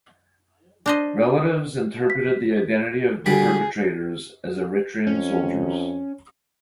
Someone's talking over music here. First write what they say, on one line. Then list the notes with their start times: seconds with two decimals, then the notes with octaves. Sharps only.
Relatives interpreted the identity of the perpetrators as Eritrean soldiers.
0.86 D4 C5 D#5
2.10 B6
3.26 D3 G3 F#4 G#4 B6
5.07 F2 C#4